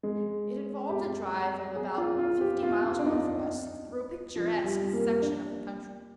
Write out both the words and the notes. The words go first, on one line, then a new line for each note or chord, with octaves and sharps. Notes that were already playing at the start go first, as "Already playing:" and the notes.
It involved a drive of about fifty miles northwest, through a picturesque section of the country.
G#3
G4
G#4
F4
F4
G4
F4
F4
D4
D#4
F3
G3
A#3
D4